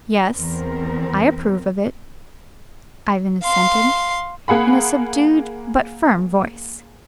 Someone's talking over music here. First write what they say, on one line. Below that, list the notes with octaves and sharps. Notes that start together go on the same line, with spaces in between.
"Yes, I approve of it," Ivan assented, in a subdued but firm voice.
E2 B3 C4 A#4
F5 C6
A#3 G#4 F#5 B5